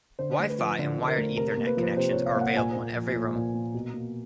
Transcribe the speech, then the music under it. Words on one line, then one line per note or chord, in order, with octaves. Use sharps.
Wifi and wired ethernet connections are available in every room.
D3 C5
A3
B4
F3
D3
D3
A#4
A3
C3 A#4
A#4
A#3
B4
F3
B4
C3 C5
C#5
C3
F5
A#3
F#5
A#2 G#5
A#3
F3
A#2
A#2
A#3
B2
A#3